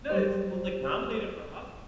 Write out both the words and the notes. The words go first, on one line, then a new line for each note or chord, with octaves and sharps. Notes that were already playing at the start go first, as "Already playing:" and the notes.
No, it's, well, like, nominated for Oscars.
F#3 G3 G4 C5